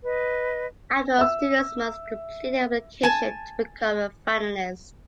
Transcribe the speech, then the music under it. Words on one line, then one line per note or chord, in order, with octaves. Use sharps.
Afterwards students must complete an application to become a Finalist.
B4 D#5
E5 E6
G#5 A5